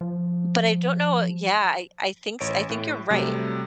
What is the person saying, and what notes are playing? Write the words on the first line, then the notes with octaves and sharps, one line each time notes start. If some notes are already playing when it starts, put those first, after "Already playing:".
But I don't know i Yeah, I I thinks I think you're right,
F3
A1 C#5 D7
A2
C3 F#3 G3 A3